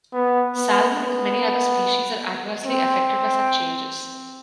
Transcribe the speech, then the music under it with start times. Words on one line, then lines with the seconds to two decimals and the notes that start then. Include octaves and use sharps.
Salmon and many other species are adversely affected by such changes.
0.14 B3
0.56 B3
0.97 B3
2.65 C4